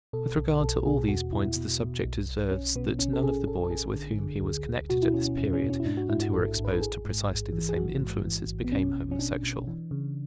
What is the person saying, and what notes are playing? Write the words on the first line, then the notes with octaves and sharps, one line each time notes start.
With regard to all these points the subject observes that none of the boys with whom he was connected at this period, and who were exposed to precisely the same influences, became homosexual.
B2 A4
B1
B1 A4
B2 G#4
E2 F#4
B2 E4
B2
B2
B1
B1
B1 C#4
B2 B3
A1 C#4
A4
A1 G#4
A1 A4
A4
A1 G#4
D3
D3
D2
D2
B2 F#4
E4
B2 C#4
C#4
E2 C#4
C#4
B2
C#4
E4
G#2 D4
F#4
G#2 E4
F#4
A1 A4
A1
B4
A4
A1 G#4
G#2
A1
E3
G#4
A1 F#4
G#2
E3
A1
B3
B2 C#4
B2
C#4
B2 D4
B2
E3
C#3